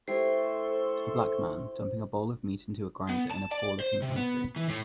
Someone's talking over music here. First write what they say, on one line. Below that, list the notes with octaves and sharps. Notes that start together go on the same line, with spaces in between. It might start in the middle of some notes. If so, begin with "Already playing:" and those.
A black man, dumping a bowl of meat into a grinder in a poor looking country.
A3 E4 G4 A4 C5 C6 C#6
B3
A5
D5
C5
C3
B3
E3
A2